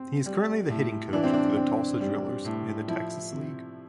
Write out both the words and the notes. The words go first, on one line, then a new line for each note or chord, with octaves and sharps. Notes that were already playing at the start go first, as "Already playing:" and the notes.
He is currently the hitting coach for the Tulsa Drillers in the Texas League.
Already playing: C4
G3
A2
E3 D4
C4
D4
C4
G3
A2
F3 E4
C3